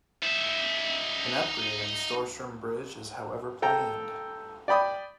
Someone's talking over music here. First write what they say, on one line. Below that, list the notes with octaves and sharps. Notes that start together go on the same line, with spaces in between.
An upgrade of the Storstrom Bridge is however planned.
D#4 E5
A4 G5 A#5
D5 G5 B5 D#6